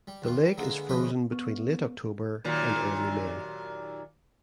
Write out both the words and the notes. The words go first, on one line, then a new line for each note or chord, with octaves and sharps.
The lake is frozen between late October and early May.
G3
D#2 G3 F4
G3
D3 G#3 A#3 B3
D2 C#3 F3 B4 D#5 B5
B3
D#2 A#2 F#3